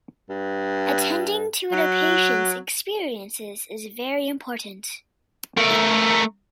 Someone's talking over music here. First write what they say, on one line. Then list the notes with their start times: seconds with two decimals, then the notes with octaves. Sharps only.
Attending to the patient's experiences is very important.
0.29 G2
1.72 F#3
5.57 A3 A#4